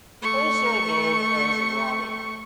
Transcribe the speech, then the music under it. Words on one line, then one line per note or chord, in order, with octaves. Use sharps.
Also known as Robin.
A3 C#6